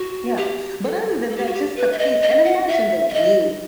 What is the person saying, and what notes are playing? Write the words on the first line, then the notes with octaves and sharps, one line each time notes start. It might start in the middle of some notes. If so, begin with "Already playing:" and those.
yeah, but other than that, just the peace, and imagine the view
Already playing: F#4
G4
A4
A4
G4
F#4
G4
B4
E5
D#5
D#5
F#5
E5
E5
D#5